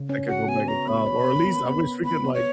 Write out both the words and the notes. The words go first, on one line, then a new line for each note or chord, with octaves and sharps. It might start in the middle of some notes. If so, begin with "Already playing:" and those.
I could go back in time, or at least I wish we could, like
Already playing: C#3
C#4
F#4 F#5
B3 G#5
C#5 A#5
B3 B5
C#5
A#4
B3
B3
B3
B3 B5
B3
C#5